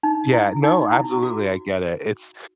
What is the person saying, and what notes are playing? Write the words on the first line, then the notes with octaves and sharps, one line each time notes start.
Yeah, no, absolutely. I get it, it's
D#4
E4
D#4
E4
F#4